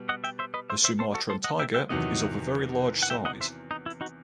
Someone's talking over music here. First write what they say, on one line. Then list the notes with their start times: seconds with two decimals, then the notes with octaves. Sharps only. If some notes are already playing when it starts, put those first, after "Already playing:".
The Sumatran tiger is of a very large size.
Already playing: B2 G3 B3
0.09 D#5 F#5
0.24 E5 G5
0.39 C5 E5
0.54 B4 D#5
0.70 C5 E5
0.84 C5 E5
0.99 A4 C5
1.14 F#4 A4
1.30 A4 C5
1.44 D#5 F#5
1.60 E5 G5
1.74 E5 G5
1.89 E2 C3 D#3 F#3 D#5 F#5
3.03 F#5
3.10 E5 G5
3.25 D#5 F#5
3.41 C5 E5
3.71 D#4
3.86 E4
4.01 D#4 F#4